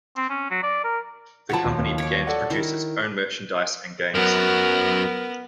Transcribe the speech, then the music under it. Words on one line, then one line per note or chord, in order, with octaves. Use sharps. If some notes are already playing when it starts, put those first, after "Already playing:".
The company began to produce its own merchandise and games.
C4
C#4
F#3
D5
A#4
F3 F#3 C#5 F#5 A5
D#1
D#2
C#5 D6
A4 D5 F#5
D#3 E4
F#2 F#3 B3 A#4